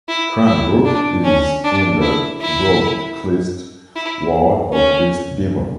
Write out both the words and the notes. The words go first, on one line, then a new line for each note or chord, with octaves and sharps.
Cranbrook is in the Broadclyst ward of East Devon.
E4
E4
D4
C#4
D4
E4
E4
E4
C#4